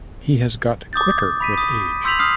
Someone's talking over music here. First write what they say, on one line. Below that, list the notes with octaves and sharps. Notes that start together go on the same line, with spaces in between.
He has got quicker with age.
D6 D#6 G6 A6
B5 B6 D#7
D#6
C6 E6 G6 B6 F7 F#7
D#6 F6 C7